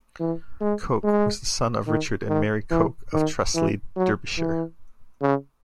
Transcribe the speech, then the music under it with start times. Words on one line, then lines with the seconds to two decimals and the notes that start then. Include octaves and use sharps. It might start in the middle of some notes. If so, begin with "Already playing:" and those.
Coke was the son of Richard and Mary Coke of Trusley, Derbyshire.
0.20 E3
0.61 G#3
1.04 G#3
1.87 D#3
2.28 D#3
2.70 E3
3.13 D#3
3.54 E3
3.96 F#3
4.38 E3
5.21 C#3